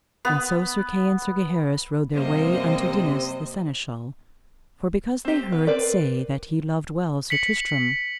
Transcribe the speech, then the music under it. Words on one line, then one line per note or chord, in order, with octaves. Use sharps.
And so Sir Kay and Sir Gaheris rode their way unto Dinas, the Seneschal, for because they heard say that he loved well Sir Tristram.
B3
F#2 C3 G3 A#3 C5 D#5
C4 G4
B3
C4 A#4 B4 D5
B6 C#7 F#7